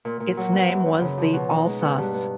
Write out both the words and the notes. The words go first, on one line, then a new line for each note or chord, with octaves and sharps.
Its name was the "Alsace".
A#2
A#2
F#3
B3
F#2
F#2
C#3
F3
B2
D#4
G#3
B3
G2
B3